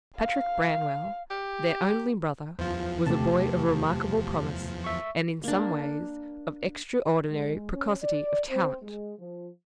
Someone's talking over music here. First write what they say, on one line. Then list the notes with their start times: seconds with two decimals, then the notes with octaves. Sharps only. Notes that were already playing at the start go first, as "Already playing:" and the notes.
Patrick Branwell, their only brother, was a boy of remarkable promise, and, in some ways, of extraordinary precocity of talent.
0.17 F5
1.30 G4
2.59 E2 F3 F4 C5
3.07 C3 A3 G4 A5
4.84 E5 C#6
5.44 A#3 D4
7.29 G#3
7.71 C#4
8.02 D5
8.49 C4
8.82 G#3
9.19 F3